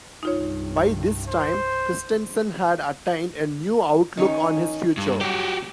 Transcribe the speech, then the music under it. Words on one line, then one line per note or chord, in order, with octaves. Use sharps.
By this time, Christensen had attained a new outlook on his future.
C2 G2 D#4 F4 C#5
C5
D#3 C#4 D#4
G2
F#3 F#4 G4